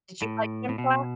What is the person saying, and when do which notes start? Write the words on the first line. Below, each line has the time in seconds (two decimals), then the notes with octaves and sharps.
Did you like gym class?
0.22 A2
0.69 A2
0.78 B2